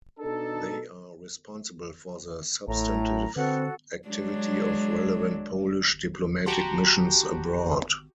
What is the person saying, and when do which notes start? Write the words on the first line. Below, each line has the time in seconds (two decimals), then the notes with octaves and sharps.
They are responsible for the substantive activity of relevant Polish diplomatic missions abroad.
0.19 B2 D4 D#4 A4
2.68 A1 A2 A#5
3.36 D3 C4 F#4 A4 B4 F#5
4.08 F#3 G#3 D4
6.46 F#4 G4 G5 A5 A#5 C6